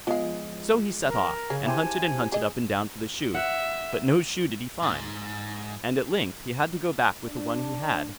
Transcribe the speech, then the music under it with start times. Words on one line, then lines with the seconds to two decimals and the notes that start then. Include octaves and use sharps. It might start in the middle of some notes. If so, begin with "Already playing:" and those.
So he set off, and hunted and hunted up and down for the shoe, but no shoe did he find; and at length he had to go back with the one he had.
0.07 F3 G#3 B3 F5
1.08 A#4
1.50 C#3 G#4
1.66 E4 G4 C5 G#5 A5
2.32 G#4 D#5
3.35 E5 F#5
4.82 G#2
7.21 D4